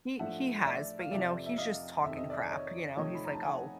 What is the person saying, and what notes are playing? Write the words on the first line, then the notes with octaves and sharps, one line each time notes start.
He he has, but, you know, he's just talking to crap, you know? He's like, "Oh"
A2 F3 A3 D4 E5 F#5
D5 E5
F5
F2 C3 F3 D5 E5
E5
D#5 F5
F2 C3 D#3 E5
D#5
D5 E5
C#5 D#5
C3 F3 A3 C4 D#4 C#5 D#5
B5
A#5
A5
F#5 G#5